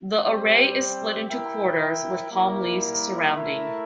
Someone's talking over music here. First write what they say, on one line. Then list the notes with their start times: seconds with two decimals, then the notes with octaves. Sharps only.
The array is split into quarters with palm leaves surrounding.
0.24 G3 C4 G4 C5
1.28 E4 A#4 E5 G5
2.31 G3 A#3 E4 A#4
3.34 A3 E4 A#4 E5